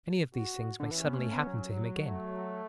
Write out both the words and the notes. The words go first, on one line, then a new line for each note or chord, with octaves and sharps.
Any of these things may suddenly happen to him again.
F#4
D3
E3 C#4
B3
A3
B3
F#3
A3